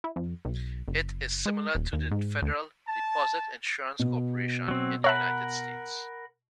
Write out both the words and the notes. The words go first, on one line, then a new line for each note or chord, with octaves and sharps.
It is similar to the Federal Deposit Insurance Corporation in the United States.
E4
F2
B1
F#1
G#3
D#1
D#2
G#2
D2
A5
B2
F#3 C4
A#4 C#5 E5 F#5 A5 B5